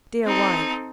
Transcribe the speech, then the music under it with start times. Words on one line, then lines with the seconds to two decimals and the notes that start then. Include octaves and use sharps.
Dear wife!
0.24 C4 D#4 A4